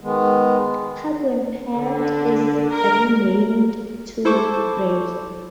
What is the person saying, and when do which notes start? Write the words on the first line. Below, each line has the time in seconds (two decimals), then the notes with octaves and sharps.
Paguetpet is renamed to Bray.
0.01 D#3 G#3 B3
1.73 D3
2.71 A#4
4.25 E4 A4 C5 A5 C#6 D6